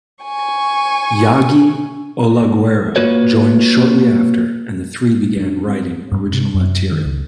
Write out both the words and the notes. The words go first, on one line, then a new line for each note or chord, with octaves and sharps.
Yagi Olaguera joined shortly after and the three began writing original material.
G#5 C#6
A#3 F4 F#4 B4 C#5
D4
C4
G2
C3
F#2
D#3
C#2